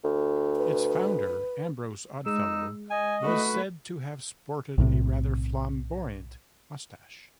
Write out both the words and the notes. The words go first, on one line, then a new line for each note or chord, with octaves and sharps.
Its founder, Ambrose Oddfellow, was said to have sported a rather flamboyant moustache.
D2
B4
G#3 D#4 E6
D#5 G#5
A3 F#4 B4
B1 A2 C3